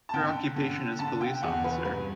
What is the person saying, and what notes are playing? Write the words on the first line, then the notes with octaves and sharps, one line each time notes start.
Her occupation is police officer.
A5
D3 G5
D3
D3 A5
G5
E2 F#5
B4
G2 B4